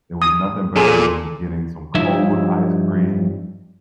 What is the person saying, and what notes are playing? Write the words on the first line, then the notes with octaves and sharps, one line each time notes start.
it was nothing better than getting some cold ice cream.
D#6
A#2 G#4 A4
G2 F3 D#4 E4 C#5 E5